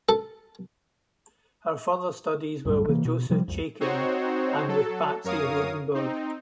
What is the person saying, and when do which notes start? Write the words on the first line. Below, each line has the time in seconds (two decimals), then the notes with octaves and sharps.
Her further studies were with Joseph Chaikin and with Patsy Rodenburg.
0.09 A4
2.65 B1 F#2 A2 G3
2.88 C3 E3 A#3
3.05 B2
3.30 C3 F3 G3
3.48 C2 F2
3.80 C4 D#4 F#4 C5 C#5
4.68 F#3 A4
5.24 F#2 A#4 C#5 F5 D#6
5.94 C4 D#4